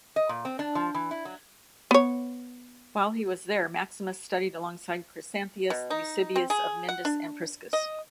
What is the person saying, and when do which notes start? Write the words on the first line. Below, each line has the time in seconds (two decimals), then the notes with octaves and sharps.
While he was there, Maximus studied alongside Chrysanthius, Eusebius of Myndus, and Priscus.
0.16 D#5
0.29 A#2
0.45 C4
0.59 D4
0.75 F3
0.94 E3
1.11 E4
1.25 F#3
1.91 B3 C#5
5.70 B2
5.90 D#4
6.36 C4
6.50 G#4
6.89 F#5
7.05 D4
7.73 D#5